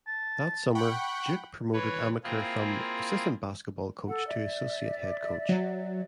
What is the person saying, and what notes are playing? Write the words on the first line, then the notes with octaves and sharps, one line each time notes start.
That summer, Duke promoted Amaker from assistant basketball coach to associate head coach.
A5
F#5 G5 B5 C#6
E3 B4 C#5
A#3 C4 E4 F4 G#4
A4 F#5
D5 E5
F#3